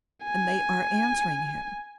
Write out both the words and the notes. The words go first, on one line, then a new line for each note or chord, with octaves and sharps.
And they are answering him!
G#5